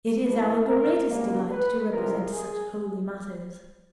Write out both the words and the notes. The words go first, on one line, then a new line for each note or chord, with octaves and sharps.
It is our greatest delight to represent such holy matters....
E2 C3 E3 A3 B4
A#4
C#2 B2 G3 A#3
B4
C2 C3 F3 A#4
G#4